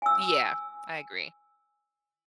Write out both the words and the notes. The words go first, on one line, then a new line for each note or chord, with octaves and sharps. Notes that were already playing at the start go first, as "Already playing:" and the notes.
Yeah. I agree.
G#5 E6